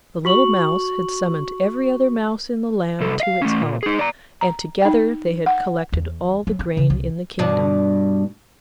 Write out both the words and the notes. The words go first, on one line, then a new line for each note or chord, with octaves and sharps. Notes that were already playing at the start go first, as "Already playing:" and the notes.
The little mouse had summoned every other mouse in the land to its help, and together they had collected all the grain in the kingdom.
F#4 C#6 F#7
C2 A4
D#5 F5
A3 C#4
A#2
D#4 G#4
D5 A#5
A#5
D#4 G5
F#5
E2
F#3
C4
C#3
C2
G2 B2 D4